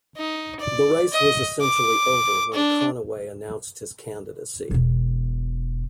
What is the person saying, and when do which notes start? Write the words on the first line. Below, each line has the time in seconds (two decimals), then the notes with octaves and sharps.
The race was essentially over when Conaway announced his candidacy.
0.17 D#4
0.60 D5
1.12 D#5
1.61 D6
2.53 D4
4.71 E1 B2